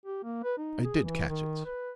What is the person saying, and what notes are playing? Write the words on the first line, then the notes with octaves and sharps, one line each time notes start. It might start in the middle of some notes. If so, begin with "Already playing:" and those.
I did catch it.
G4
A#3
B4
D#4
G#4
E3
D#3
B4